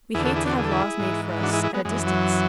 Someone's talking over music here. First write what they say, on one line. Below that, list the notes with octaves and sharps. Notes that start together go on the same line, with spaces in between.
We hate to have laws made for us at a distance.
E2 D3 E4 G#4
F#4 A4
E4 G#4
D4 F#4
G#4
A4
E4 G#4
G#2 E3
D4 F#4
E4 G#4
E4 G#4
G#3 B3
F#2 E3 G#3
F#3